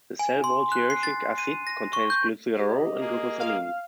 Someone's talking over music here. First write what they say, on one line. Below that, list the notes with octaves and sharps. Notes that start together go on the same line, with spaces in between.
The cell wall teichoic acid contains glycerol and glucosamine.
G#5
C6
F#6
C7
A6
D#7
A#6
C#6
G6
G4 D#5
A#3 G#4
F5